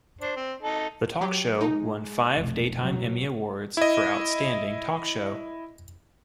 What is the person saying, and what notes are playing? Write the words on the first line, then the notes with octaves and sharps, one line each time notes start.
The talk show won five Daytime Emmy Awards for Outstanding Talk Show.
D4 C5
C4
D#4 A4 D#5
F#3 G4
G#3 D#4
F1 B1
B2 F#3
E4 D#5